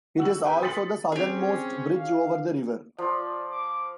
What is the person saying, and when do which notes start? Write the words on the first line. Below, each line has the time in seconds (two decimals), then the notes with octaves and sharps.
It is also the southernmost bridge over the river.
0.18 F#4 E6 F#7
0.45 G4 B4 G5 G#5
0.62 C6 D#6 A6 B6 C#7 F#7
1.12 C4 C#4 G4 G#4
1.95 F5
2.98 F3 D5
3.50 D6